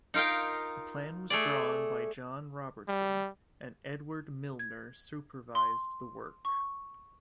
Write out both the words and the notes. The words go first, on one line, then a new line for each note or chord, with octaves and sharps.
The plan was drawn by John Robertson and Edward Milner supervised the work.
D#4 F4 A#4 F5 G5
A3 G#4 D5
G3
G#6
C6
C#6